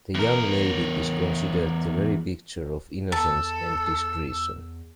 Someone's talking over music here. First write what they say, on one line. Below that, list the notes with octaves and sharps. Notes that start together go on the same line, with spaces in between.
The young lady is considered the very picture of innocence and discretion.
E2 A#4
E2 A4 A5 E6